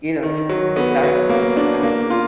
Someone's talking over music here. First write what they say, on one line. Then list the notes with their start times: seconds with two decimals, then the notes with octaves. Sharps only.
you know, if they start slow sometimes when
0.23 D#3
0.49 F#3
0.76 B3
1.03 F#3
1.29 A#3
1.57 D4
1.83 A#3
2.10 F4